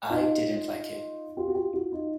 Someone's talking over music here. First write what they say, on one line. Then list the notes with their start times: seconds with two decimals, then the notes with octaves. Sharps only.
I didn't like him.
0.10 D#4 F4
1.37 F4 G4
1.48 F#4
1.55 F4 G4
1.73 E4 F#4
1.92 D#4 F4